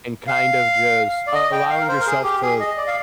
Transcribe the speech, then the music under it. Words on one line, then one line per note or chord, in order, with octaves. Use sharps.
and kind of just allowing yourself to
F5
D5
D#5
G5
F5
A#4
C5
A#4
G#4
G4
G#4
D#5
D5
F5